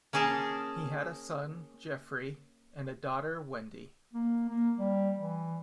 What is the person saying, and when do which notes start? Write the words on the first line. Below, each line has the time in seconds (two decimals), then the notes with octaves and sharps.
He had a son, Jeffery and a daughter, Wendy.
0.13 A#3 C#4 G#4 A#4 A5
4.13 A#3
4.49 A#3
4.77 G3
5.18 E3